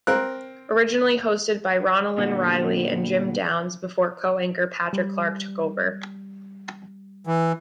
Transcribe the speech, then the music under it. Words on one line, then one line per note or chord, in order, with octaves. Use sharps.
Originally hosted by Ronilyn Reilly and Jim Downs before co-anchor Patrick Clark took over.
C4 A#4 F#6
A#2 D3 G3 B3 F#4
G3
E3